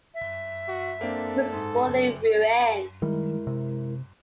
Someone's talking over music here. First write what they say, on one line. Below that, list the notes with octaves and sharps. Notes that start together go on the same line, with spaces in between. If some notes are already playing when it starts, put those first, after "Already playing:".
He was born in Rouen.
E5
F#4
A#3 C4 D4 A4
G#2
F#1
D#3 G3 G#3 E4 A#4
C3